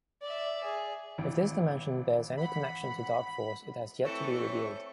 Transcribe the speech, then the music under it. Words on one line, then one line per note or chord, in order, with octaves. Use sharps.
If this dimension bears any connection to Darkforce, it has yet to be revealed.
D5 E5
G#4
G#1 E3
F#5 B5
E3 A3 C4 A4 C#5 E5 C#6